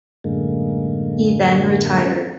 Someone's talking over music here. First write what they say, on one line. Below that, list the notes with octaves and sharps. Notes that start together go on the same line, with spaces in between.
He then retired.
F#2 A2 D3 G#3 A#3